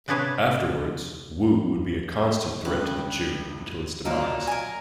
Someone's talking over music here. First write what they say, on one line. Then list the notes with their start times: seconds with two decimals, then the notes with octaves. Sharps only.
Afterwards, Wu would be a constant threat to the Chu until its demise.
0.08 C3 D4 G#4 B4 C#5 A5
2.65 G#1 C#2 G2 B4
4.05 A#2 F#3 A#3 D4 D#4
4.47 A#4 G#5